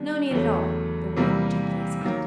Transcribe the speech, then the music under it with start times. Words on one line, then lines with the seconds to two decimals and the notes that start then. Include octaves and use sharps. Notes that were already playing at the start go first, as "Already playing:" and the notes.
"No need at all," the Warden gently assented.
Already playing: D#3 G3 B3 D4
0.31 E2 C#3 F#3 A3
1.17 C3 E3 G3 A#3
2.01 D#3 F#3 A#3